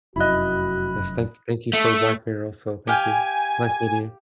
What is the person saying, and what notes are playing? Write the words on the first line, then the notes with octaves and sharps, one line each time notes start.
Yes, thank thank you for Black Mirror, also. Thank you. It's nice meeting you.
F1 F#2 E4 F#4 D#5 B5 F#6
A3
G4 F5 G5 G#5